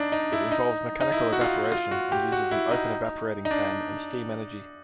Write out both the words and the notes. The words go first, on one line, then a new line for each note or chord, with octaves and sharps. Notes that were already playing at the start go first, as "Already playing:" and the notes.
It involves mechanical evaporation and uses an open evaporating pan and steam energy.
Already playing: D4 D#4
D#4
E4
D#4
D#4
E4
F#4
F4
F4
F#4
G4
F#4
E4
D#4
D#4
D4